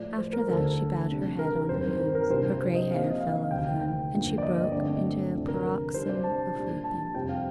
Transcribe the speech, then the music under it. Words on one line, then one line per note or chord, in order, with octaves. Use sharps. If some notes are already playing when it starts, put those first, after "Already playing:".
After that she bowed her head on her hands; her grey hair fell over them, and she broke into a paroxysm of weeping.
Already playing: A2 F3 A3 D5
C5
A#4
D2 D3 A3 D4 A4
C3 G3 D4
A#4
A#4
G2 D#3 G3 C4 C5
A#4
A#4
C2 A#2 G3 D4 C5
C5
D#5
C3 F3 A#3 D4 F5
D#5
F5
F5
D2 C3 D#3 G5
G5
G2 D3 F3 A#3
D5
D#5
D#5
G2 D3 A3 C4 D5
D2 C3 F3 A3 D4
A#4
C3 G3 D4 C5
D5
A5
A#2 G3 D4
A5
F2 C3 G3 G5
F5